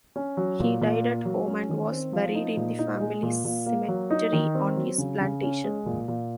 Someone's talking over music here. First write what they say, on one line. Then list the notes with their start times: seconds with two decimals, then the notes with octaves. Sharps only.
He died at home and was buried in the family cemetery on his plantation.
0.16 C#4
0.37 F#3
0.60 A#2
0.81 A#2
1.03 A#3
1.25 F#3
1.47 C#4
1.69 D#3
1.91 C4
2.13 F3
2.35 D#4
2.57 A#2
2.79 D#4
3.00 G#3
3.23 A#2
3.45 A#2
3.66 A#3
3.88 F#3
4.10 D#4
4.33 D#3
4.55 C4
4.77 F#3
4.98 C#3
5.21 C#3
5.43 C#4
5.64 G#3
5.86 A#2
6.08 A#2